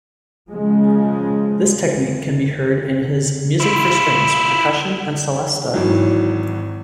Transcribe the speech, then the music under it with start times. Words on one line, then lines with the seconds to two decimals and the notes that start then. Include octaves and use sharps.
This technique can be heard in his "Music for Strings, Percussion and Celesta".
0.49 C#3 F3 G#3
3.60 E4 F4
5.74 G#1 D#3 E3 F#3